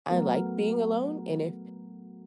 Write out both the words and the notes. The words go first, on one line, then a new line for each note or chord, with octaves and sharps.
I, like, being alone, and if
F#3 A3 B3 F#4 A#4